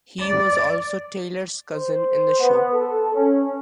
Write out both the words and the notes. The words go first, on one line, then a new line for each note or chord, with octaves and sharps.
He was also Taylor's cousin in the show.
D5
C5
B3
A4
C#4